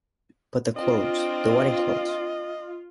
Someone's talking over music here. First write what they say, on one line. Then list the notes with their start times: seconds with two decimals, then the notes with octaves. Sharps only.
But the clothes, the wedding clothes!
0.76 C4 D4 F4 D#5